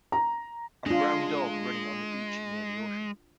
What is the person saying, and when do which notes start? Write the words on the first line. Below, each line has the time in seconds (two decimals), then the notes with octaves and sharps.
A brown dog running on the beach near the ocean.
0.12 A#5
0.86 G#3 D4 F4